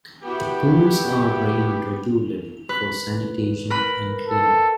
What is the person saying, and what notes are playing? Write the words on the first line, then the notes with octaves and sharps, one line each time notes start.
The pools are drained regularly for sanitation and cleaning.
B3 E4 F#4 G4
B4
A#4 B4 B5
A4